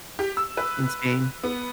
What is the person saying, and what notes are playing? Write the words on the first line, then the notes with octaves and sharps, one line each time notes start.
in Spain?
G4
E6
B4
B3